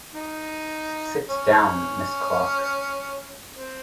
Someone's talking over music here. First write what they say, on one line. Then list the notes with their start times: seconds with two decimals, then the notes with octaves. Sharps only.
Sit down, Miss Clark.
0.15 D#4
1.28 C#4
3.53 C4